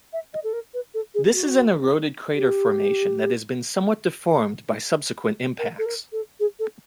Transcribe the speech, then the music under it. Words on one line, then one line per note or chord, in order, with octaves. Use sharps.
This is an eroded crater formation that has been somewhat deformed by subsequent impacts.
E5
D#5
A4
A#4
B4
A4
G#4
F#4
G4
A#4
A4
A#4
A4
G#4
A4